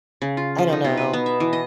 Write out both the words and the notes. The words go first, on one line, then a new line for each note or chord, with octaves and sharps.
I don't know.
C#3
F4
F3
D#4
B2
B4
B3
E5
E3
D#5